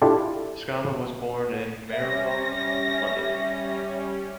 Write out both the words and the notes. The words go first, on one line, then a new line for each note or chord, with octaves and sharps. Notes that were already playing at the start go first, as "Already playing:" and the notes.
Schama was born in Marylebone, London.
D4 E4 F4 G4 A4
G3 C#4 E5 A#6